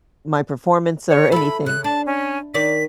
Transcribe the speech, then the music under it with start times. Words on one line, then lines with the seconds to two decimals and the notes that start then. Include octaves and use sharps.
my performance or anything.
1.09 C#5
1.32 E4 A4 B5
1.66 C#3 F#6
1.84 D4 A5
2.06 C#4
2.54 D#3 A#4 D5 B6